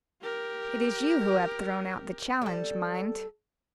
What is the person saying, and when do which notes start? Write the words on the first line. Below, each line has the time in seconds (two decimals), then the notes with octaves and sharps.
"It is you who have thrown out the challenge, mind."
0.22 G4 A#4
2.42 G3 A4